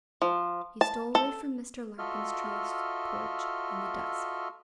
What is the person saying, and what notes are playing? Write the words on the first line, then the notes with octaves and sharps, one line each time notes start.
He stole away from Mr. Larkin's trellised porch, in the dusk.
F3
A5
A4
F4 F#4 A4 D#5 E5 F6